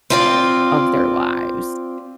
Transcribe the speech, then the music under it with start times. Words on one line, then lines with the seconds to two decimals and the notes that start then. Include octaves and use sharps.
of their lives.
0.10 C4 F4 D5